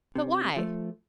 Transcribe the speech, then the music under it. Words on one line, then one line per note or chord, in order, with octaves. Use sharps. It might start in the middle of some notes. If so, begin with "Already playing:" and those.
But why?...
C3
F3 A3